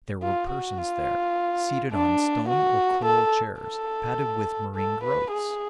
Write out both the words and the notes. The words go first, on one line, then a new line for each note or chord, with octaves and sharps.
There were persons there, seated on stone or coral chairs, padded with marine growths.
F4
F#4
F4
D4
F#4
A4
A4
A4
B4
G#4